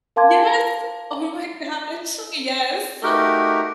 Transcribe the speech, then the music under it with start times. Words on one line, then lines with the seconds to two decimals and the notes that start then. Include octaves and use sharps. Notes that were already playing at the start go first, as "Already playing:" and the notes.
Yes! Oh my gosh, yes.
0.16 A#4 F5 A5 C6 D6 G#6
3.03 A3 D#4 F#4 G4 A#4